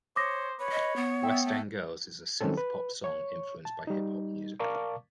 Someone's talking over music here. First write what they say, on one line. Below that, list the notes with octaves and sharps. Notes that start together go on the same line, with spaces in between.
"West End Girls" is a synthpop song influenced by hip hop music.
C5 C#5 D6 D#6 A#6
B4 C#5
D#5
B3
E5 G5
A3
D#3 F#3 C4 C#4 A4
B4
C#5 C#6
A5
G3 D#4
A#4 D5 F5 A5 C#6 D6